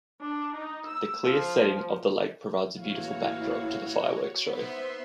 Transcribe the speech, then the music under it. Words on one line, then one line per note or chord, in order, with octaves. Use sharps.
The clear setting of the lake provides a beautiful backdrop to the fireworks show.
D4
D#4
E6
F3
A1 E3 A#3 E4 F#4 C#5 F5
B3 D#4 C5 E5 C6